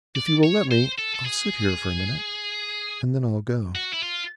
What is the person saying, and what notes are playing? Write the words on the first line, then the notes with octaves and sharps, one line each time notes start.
If you will let me, I'll sit here for a minute, and then I'll go.
D5
C#5
C5
A4
A4
G#4
F#4
E4
F4